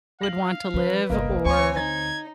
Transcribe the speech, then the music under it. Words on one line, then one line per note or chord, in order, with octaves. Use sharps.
would want to live or,
F5 A#6 F#7
F3 C#4 B4
G1 C2 A#3 A#4 D#5
D2 C4 C#5 G#5 C#6
D#4 G#6